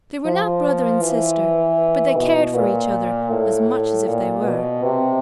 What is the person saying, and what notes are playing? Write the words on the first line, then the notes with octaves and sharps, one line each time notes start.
They were not brother and sister; but they cared for each other as much as if they were.
F3
E3
B2
A#2
A2
A#2
B2
C3